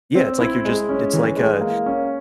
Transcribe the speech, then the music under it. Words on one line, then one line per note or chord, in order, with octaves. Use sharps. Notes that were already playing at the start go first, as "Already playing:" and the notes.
Yeah, it's like you're just it's like a
C4
E4
G#3
C#4
E3
G#3
A#3
C#4